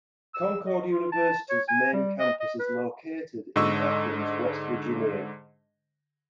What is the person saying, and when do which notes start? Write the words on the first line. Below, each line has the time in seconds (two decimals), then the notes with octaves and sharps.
Concord University's main campus is located in Athens, West Virginia.
0.34 E6
0.66 D#5
0.90 F4
1.12 A5
1.49 C#5
1.68 G#5
1.93 G3
2.19 D#5
2.40 D#5
2.59 B4
3.56 G#2 D3 D#5 C#6 E6